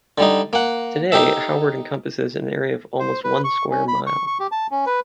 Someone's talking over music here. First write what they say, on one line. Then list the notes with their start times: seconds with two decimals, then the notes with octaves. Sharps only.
Today, Howard encompasses an area of almost one square mile.
0.18 D3 G3 D#4
0.53 A#3 F#5
1.12 D#4 G4 A4 E5
2.99 C5
3.24 B4
3.44 C#6
3.70 C#4
3.88 B5
4.07 C#6
4.27 C#6
4.40 G4
4.52 A5
4.71 C#4
4.86 B4